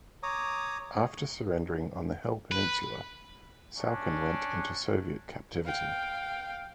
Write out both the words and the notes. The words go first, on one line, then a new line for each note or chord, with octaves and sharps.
After surrendering on the Hel Peninsula, Saucken went into Soviet captivity.
C#5 A#5 D6 D#6
B4
C#4 D4
F5 G5